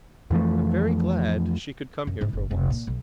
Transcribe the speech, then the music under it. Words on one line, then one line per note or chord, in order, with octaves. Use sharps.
I'm very glad she could come here for once.
F2 E3 F3 A3
F#2
G#2 E4
F#1
F1 C#2
A#2
B1